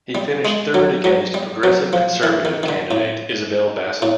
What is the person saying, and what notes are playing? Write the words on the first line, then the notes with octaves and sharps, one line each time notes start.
He finished third against Progressive Conservative candidate Isabel Bassett.
G3
G#3
F#3
F#3
G3
F#3
F3
E3
D#3
D#3
D3
A2
A2